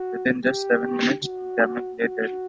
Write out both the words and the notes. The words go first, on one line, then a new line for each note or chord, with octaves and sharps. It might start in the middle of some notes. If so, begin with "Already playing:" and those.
Within just seven minutes, Gammage lay dead.
Already playing: F#4
G4
F#4
F#4